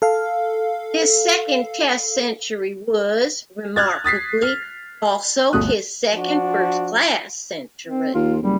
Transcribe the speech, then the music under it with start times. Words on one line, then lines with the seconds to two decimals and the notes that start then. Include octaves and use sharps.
This second Test century was, remarkably, also his second first-class century.
0.02 A4 F5
3.76 F6 F#6 G#6 A6
4.04 D#6 A6 B6 C7
4.42 F6
5.53 G1 D2 A3 D#6 F#6
6.12 F3 D4 F#4
7.87 C4
8.14 D#2 F4
8.43 F#1 G3